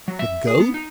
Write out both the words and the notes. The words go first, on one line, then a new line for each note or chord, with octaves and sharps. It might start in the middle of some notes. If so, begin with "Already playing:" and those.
"The goat?"
F#3
E5
G#4
B3
D#4